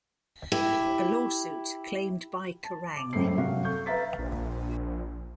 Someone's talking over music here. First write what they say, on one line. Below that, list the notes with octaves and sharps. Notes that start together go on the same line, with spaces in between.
A lawsuit, claimed by Kerrang!
E4 G4
A5
D6
C#2 F#2 A3 C4 C7
F#2 C3 F#4 F5
A4 C#6 G6
B4 E5 F5 A#5 A6 B6
A#1